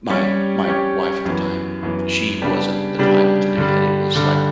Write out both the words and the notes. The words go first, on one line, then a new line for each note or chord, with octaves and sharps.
my my wife at the time, she wasn't the type to do that, it was like,
G3 C#4 G4 C#5
G3 C#4 G4 C#5
F#2 E3 B3
F#2 E3 B3
C#3 G3 B3 D4 G4
C#3 G3 B3 D4 G4
G2 D3 G3
G2 D3 G3